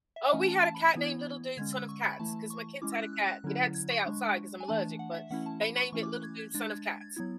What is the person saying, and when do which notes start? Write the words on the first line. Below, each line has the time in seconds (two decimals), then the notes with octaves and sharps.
Oh, we had a cat named Little Dude Son of Cats 'cause my kids had a cat. It had to stay outside 'cause I'm allergic, but they named it Little Dude Son of Cats.
0.16 E5
0.24 F#5
0.33 E3 A3 C#4 G#5
0.48 A5
0.64 A5
0.75 B5
0.85 G#6
0.95 E3 B3 E4
1.57 D3 G#3 C#4 G#6
1.73 E6
1.89 C#6
2.04 B5
2.20 E3 A3 E4 A5
2.50 C#6
2.82 G#3 C#4 E4 D6
2.92 E6
3.02 F#6
3.13 F#6
3.28 F#6
3.44 D3 F#3 C#4 E4
3.74 G#6
3.90 C#6
4.06 G#3 D4
4.60 G#5
4.68 E3 A3 D4 A5
4.99 F#5
5.15 E5
5.30 E3 A3 C#4 E4 F#5
5.46 A5
5.61 B5
5.77 C#6
5.92 E3 A3 C#4 E4 C#6
6.03 D6
6.13 F#6
6.23 G#6
6.39 G#6
6.54 G#3 D4 A6
6.70 G#6
6.86 A6
7.01 G#6
7.16 F#3 B3 E4 G#6